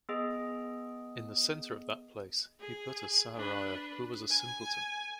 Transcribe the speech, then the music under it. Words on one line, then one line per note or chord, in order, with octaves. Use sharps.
In the centre of that place he put a Sahariya who was a simpleton.
B3 G#4 D#5
G#4
D4 B4
G#5